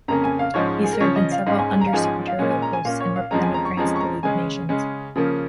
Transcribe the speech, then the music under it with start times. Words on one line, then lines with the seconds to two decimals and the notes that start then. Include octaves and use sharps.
He served in several Under-Secretarial posts, and represented France at the League of Nations.
0.08 F2 C#3 A#3 C#4 A#5
0.24 G#5
0.39 F5
0.54 G#2 F3 G#3 C#4 C#5
0.84 G#4
0.92 A#4
1.00 C#3 F3 C#4 C#5
1.16 D#5
1.32 F5
1.46 G#2 G#3 C#4 F5
1.58 G#5
1.70 G#5
1.81 A#5
1.87 F5
1.93 G#2 F3 G#3 C#4 G#5
2.04 G#5
2.27 F5
2.39 A#2 G#3 C#4
2.50 G#5
2.62 A#5
2.73 G#5
2.85 A#2 A#3 C#4 F5
3.01 C#5
3.16 F5
3.31 F2 F3 G#3 C#4 A#5
3.43 G#5
3.54 A#5
3.65 C#6
3.77 F2 F3 G#3 C#4 A#5
3.96 C#6
4.00 A#5
4.23 C#3 G#3 C#4 G#5
4.69 C#3 G#3 C#4
5.16 C#3 F3 A#3 C#4